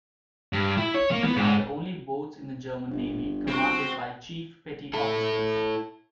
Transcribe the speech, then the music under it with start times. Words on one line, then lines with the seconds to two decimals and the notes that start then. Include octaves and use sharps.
They are the only boats in the German Navy commanded by Chief Petty Officers.
0.53 G2
0.78 E4
0.95 C#5
1.11 A#3
1.24 B3
1.36 G#2
2.90 G1
3.48 C4 F#4
4.93 E4 A4